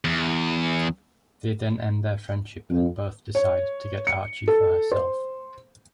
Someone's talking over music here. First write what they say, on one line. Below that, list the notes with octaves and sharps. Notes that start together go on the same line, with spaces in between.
They then end their friendship and both decide to get Archie for herself.
E2
F2
C#5
C#7
A4
C5